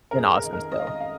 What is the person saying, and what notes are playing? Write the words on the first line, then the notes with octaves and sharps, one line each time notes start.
an awesome skill.
A#4
F2 G#4
A#4
D#3
A#4
G#3 D#5
F5
D#5
F5